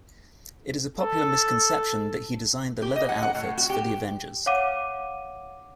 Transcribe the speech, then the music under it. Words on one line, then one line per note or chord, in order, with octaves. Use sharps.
It is a popular misconception that he designed the leather outfits for "The Avengers".
A4
G4
D#5
F#5
F#5
A2
F#4
G4
C#5 F5 F#5 D6 D#7